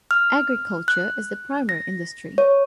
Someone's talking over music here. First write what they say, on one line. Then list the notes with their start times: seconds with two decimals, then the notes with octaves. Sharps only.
Agriculture is the primary industry.
0.11 F6
0.88 F#6
1.69 A#6
2.38 C#5